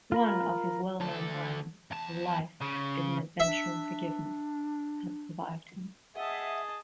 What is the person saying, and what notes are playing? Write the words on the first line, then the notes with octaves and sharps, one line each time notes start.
One of his well-known lines, "Life is an adventure in forgiveness," has survived him.
F4 A#4 B5
D2 A4
E2 A5
C#3
D4 E5
G#4 D#5 E5 F#5 A5